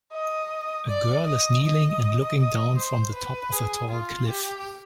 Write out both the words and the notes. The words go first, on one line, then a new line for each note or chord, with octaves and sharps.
A girl is kneeling and looking down from the top of a tall cliff.
D#5
D5
D#5
D#5
D#5
C5
B4
G#4
F4
G4